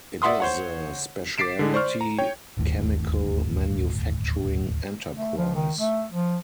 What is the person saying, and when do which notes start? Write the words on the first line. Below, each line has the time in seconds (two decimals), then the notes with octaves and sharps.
It is a specialty chemical manufacturing enterprise.
0.22 D5 E5 F#5 C6 D#6
0.40 C5 C#5 F#5
1.38 D6 A6 B6 C7 D7 E7
1.59 D3 G#3
1.74 C5 D5 C#6 F6
2.01 A#5
2.18 C#5 G5
2.57 D1 G1 D#2 A2
5.16 A3
5.37 F3
5.55 D#3
5.79 A3
6.12 F3